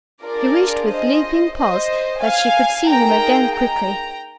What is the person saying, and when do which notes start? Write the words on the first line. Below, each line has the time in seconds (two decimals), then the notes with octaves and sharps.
She wished with leaping pulse that she could see him again quickly.
0.23 D4 F4 G#4 A#4 D5
0.90 C5 D#5
1.57 C5 D#5
2.22 F5 G#5
2.89 A#3 D#4 G#4 G5 A#5
3.55 G5 A#5